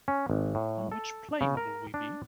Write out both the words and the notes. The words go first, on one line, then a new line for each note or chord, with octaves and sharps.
On which plane will we be?
C#4
G#1
A2
A4
C#3
A#4
D4